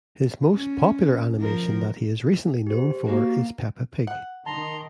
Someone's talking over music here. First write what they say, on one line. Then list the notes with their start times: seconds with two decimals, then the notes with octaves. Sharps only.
His most popular animation that he is recently known for is Peppa Pig.
0.52 C#4
1.40 F3 A#4
2.67 G4 C5
3.06 A#3 F#4
4.07 F#5
4.46 D#3 A5 A#5 C6